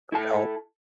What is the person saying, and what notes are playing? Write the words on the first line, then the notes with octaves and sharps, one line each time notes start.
it would help.
E4 A4 A5